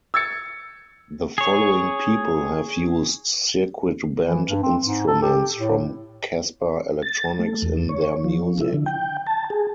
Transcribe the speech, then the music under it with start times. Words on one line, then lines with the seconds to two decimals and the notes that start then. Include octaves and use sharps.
The following people have used circuit bent instruments from Casper Electronics in their music.
0.14 E6 G#6 A6 C#7
1.38 G#4 C#5
4.23 E3
4.49 G2
4.63 C4
4.83 G#2
5.07 A4
5.22 G4
5.58 A2
7.02 A6
7.39 A3
7.62 E2
7.89 C#5
8.24 F3
8.61 E4
8.73 D3
8.86 G5
9.27 A5
9.50 G#4